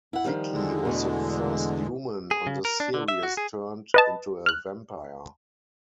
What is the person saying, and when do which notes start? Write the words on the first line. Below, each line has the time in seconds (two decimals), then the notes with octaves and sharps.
Vicki was the first human on the series turned into a vampire.
0.13 E4 F#5
0.25 D#3 F3 G3
0.52 E2 D3 G#3
0.85 B2 E3 A3
2.31 G#4
2.47 C#3
2.65 A#4
2.80 D4
2.94 D3
3.08 E5
3.23 F#4
3.37 G#4
3.94 B4 D#5 A5
4.46 F6 F#6